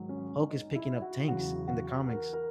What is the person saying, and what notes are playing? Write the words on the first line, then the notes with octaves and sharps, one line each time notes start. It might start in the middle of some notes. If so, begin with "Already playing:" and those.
Hulk is picking up tanks in the comics,
Already playing: G#2 D#3 F#3
C#4
D#4
E4
F#4
E2 C#3 F#3 F#4
F#4
A#4
A#4